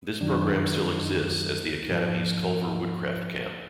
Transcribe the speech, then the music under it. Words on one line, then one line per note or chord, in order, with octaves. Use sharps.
This program still exists as the Academy's Culver Woodcraft Camp.
F#2 D#3 F#3 D4
D#4
G#2 F3